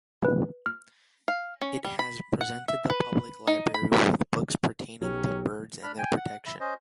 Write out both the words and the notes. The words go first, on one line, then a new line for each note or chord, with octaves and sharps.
It has presented the public library with books pertaining to birds and their protection.
B4
F6
F5
C#4
G3
B5
F#5
E5
B4
D#4
B5
B5
B1 F#3 C#4 G4
D4 B5 F6
G5 G#5
F#5
E5 B5
C#4 C5 D#5